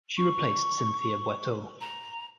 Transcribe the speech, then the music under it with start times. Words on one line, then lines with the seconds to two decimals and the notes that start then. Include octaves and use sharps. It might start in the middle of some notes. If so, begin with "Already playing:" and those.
She replaced Cynthia Bioteau.
0.17 C#6
1.81 A#5